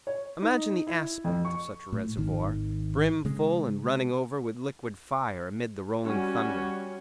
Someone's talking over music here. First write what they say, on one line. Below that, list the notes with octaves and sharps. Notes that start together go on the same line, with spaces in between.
Imagine the aspect of such a reservoir, brim full and running over with liquid fire amid the rolling thunder.
C#5
D#4
E4
F2
C#6
A2
G#1 D#3
C#3 G#3
G3 C#4 F#4